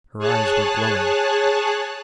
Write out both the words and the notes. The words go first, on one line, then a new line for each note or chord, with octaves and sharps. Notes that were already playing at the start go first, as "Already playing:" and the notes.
Her eyes were glowing.
G#4 C#5 A5 F#6